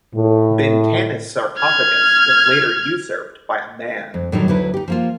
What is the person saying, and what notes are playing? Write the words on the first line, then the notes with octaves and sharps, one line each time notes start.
Bintanath's sarcophagus was later usurped by a man.
A2
F6 G#6
F2
A2 D3 D#3 F#3 G3 D#4
D2 F#3 E4 B4
D#4 G4
F3 A#3 F4